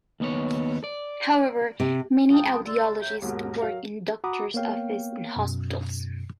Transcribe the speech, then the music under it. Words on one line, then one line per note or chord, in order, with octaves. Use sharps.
However, many audiologists work in doctor's office and hospitals.
D#2 B3 C#5
D5
C3
C#2 G5 A5 D#6
D5 C6 E6
C#5 E5 G6
D#2 G#2 B2 A#4
F#3 F5
F#4 F#5 A#5 B5 D6 D#6
A#3 B3 C#5 F5 G5
F#2 B2